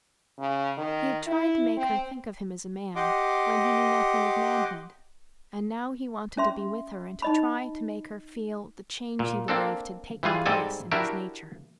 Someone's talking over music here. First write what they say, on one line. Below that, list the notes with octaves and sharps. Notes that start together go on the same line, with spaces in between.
He had tried to make her think of him as a man when he knew nothing of manhood and now he wanted to be with her and to try to make her feel the change he believed had taken place in his nature.
C#3
D#3
E4
C4
G4 D#5 F#5 C6 D6
C#4 E5 C6
D#4 D#5 B5
A#2
A#3 C4 D4 A4
E3 G3 F4 G#4
G#2 G3 C4 A4 D5 G#5
D4 E4 F#4 G4 A#4 E5